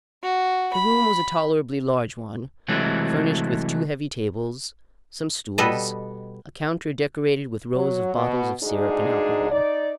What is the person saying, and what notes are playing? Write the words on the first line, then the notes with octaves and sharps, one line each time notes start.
The room was a tolerably large one, furnished with two heavy tables, some stools, a counter decorated with rows of bottles of syrup and alcohol.
F#4
B5
C3 E3 F#3 G#3 A3
B2 G3 B3 A4 B4 D#5
F#3
B2
D2 G#2 D4 D#4 G#4
D#4 D5